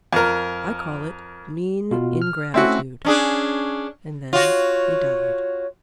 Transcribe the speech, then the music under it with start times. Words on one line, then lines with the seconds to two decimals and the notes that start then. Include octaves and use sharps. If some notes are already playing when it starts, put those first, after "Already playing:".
"I call it mean ingratitude." And then he died.
0.13 F2 A#4
1.91 B2 F4
2.22 F6
2.54 A3 C4 C#4 E4 F#4
3.05 C#4 D4 G#4
4.33 F4 F#4 C#5